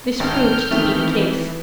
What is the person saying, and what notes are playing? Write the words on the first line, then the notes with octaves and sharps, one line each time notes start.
This proved to be the case.
G#1 F6 G6
D#3 E3 A3 C4